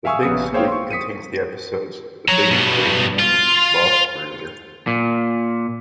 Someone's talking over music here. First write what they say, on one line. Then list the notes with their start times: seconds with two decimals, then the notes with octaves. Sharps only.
"The Big Squeak" contains the episodes "The Big Squeak" and "Boss Bruiser".
0.05 E5 F5 G#5 C#6 D#6 E6
0.22 A#1 C#3 B3 G#5 D#6 C#7
0.53 A#3 G#4 C5 C#5 F5 G5
0.68 C6 C#6
0.91 D#6 B6 C#7 D#7
2.28 C#5 A#5
2.51 G2 B2
3.19 F4
4.87 A#2